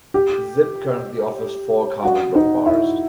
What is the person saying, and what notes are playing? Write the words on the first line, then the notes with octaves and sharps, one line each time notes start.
Zipp currently offers four carbon drop bars.
G4
F#4
D#4
E4